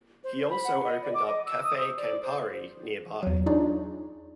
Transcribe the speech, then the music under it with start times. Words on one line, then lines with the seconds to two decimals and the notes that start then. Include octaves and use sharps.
He also opened up Cafe Campari nearby.
0.24 C5
0.50 B5
0.64 F#5
0.85 D#5
1.02 D5
1.14 D6
1.26 D#5
1.46 E6
1.64 D#6
1.76 C5
1.97 D5
2.23 C5
3.23 E2 F#3
3.46 D4 D#4 F4 G#4 C#5 D5